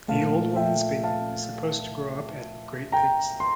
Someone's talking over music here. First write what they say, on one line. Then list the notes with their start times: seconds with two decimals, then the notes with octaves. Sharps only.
The old woman's baby is supposed to grow up at a great pace.
0.08 A#2 F3 A3 F5 A5
0.56 E5 G5
1.04 F5 A5
2.92 G5 A#5
3.40 C6